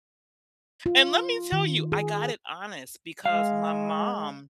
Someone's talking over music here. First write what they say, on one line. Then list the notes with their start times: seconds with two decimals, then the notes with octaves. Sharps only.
And let me tell you, I got it honest because my mom,
0.86 F4
1.52 D#3
1.92 G#4
3.26 G#3 F5